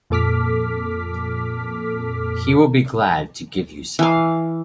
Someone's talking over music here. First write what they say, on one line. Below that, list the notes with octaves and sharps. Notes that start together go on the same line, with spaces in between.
He will be glad to give you some.
F2 A#2 A4 D6 F6 B6
E3 F5